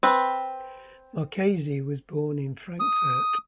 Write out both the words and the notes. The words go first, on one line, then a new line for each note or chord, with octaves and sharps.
Marchesi was born in Frankfurt.
C4 B4
D#6